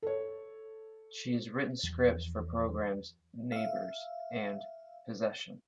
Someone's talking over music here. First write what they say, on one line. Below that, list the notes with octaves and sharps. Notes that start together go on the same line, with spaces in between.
She has written scripts for programme's "Neighbours" and "Possession".
A4 C#5
E2 F3 F#3
E5 F5